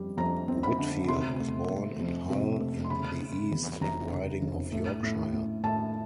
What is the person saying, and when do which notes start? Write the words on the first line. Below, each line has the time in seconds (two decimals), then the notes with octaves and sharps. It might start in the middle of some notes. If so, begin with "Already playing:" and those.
Whitfield was born in Hull in the East Riding of Yorkshire.
Already playing: F2 G3
0.17 F2 A#5
0.48 C4
0.63 B5
0.78 D3
1.08 C3 C6
1.40 A3
1.69 A3
2.00 F2
2.30 C3
2.60 A3
2.84 C6
2.90 C#3 B5
3.21 C#3
3.51 E2
3.81 F1 A#5
4.12 C#3
4.42 F1
4.72 A2
5.03 A2
5.33 A2
5.63 A2 A5